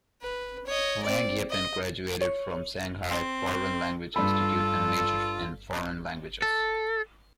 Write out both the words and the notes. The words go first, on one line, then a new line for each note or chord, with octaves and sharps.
Wang Yeping graduated from Shanghai Foreign Language Institute and majored in foreign languages.
B4
C#5 D#5
C4 D5
D#5
C#5
C4
G2 F4 A4 B5
A4